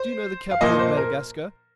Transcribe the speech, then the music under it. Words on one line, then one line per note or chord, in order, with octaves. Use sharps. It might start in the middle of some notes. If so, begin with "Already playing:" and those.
Do you know the capital of Madagascar?'
Already playing: C5
F5
A#2 F3 A#3 D#5
C5
A#4